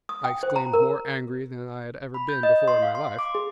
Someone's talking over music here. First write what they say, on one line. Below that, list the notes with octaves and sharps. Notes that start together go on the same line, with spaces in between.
I exclaimed, more angry than I had ever been before in my life.
D#6
G5
C5
A#5
A#4
B5
G6
D#5
C6
F5
C6
D6
G#4